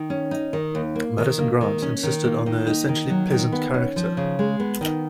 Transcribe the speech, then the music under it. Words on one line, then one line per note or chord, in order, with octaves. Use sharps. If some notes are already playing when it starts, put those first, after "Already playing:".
Madison Grant, insisted on their "essentially peasant character".
Already playing: D#3
C#4
D#4
D#3
D#2
A#3
D#3
A#3
D#3
C#4
D#3
A#3
D#3
D#4
D#3
F#3
D#3
B3
C#4
F3
C#3
G#3
B3
D#3